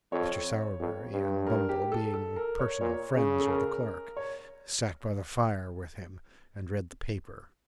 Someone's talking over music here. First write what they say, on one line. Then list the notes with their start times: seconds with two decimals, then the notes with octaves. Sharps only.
Mr. Sowerberry and Bumble, being personal friends of the clerk, sat by the fire with him, and read the paper.
0.12 F2 C#5
0.79 F2
1.13 G2
1.47 A#4
1.69 G4
1.92 A4
2.14 A4
2.36 A#4
2.59 C#5
2.81 A#2 C#5
3.16 C#3
3.40 A4
3.48 A#4
4.17 C#5